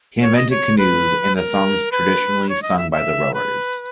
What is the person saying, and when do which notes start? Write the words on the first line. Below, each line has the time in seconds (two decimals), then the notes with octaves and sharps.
He invented canoes and the songs traditionally sung by the rowers.
0.22 C#5
0.36 D#5
0.50 C#5
0.78 B4
1.36 A#4
1.92 B4
2.49 C#5
2.62 D#5
2.77 E5
2.91 E5
3.34 B4